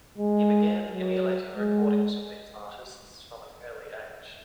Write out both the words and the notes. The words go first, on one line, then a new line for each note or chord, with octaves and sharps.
He began emulating recordings of these artists from an early age.
G#3
F#3
G#3